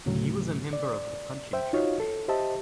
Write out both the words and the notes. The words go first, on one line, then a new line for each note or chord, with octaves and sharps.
He was a member of the Punching Church.
D2 A2 C#3 F#3 A3
D5
C5 E5 G5
D#4 F4 F#4 C#5 D#5 F5
A4
G4 C5 D#5 E5 A5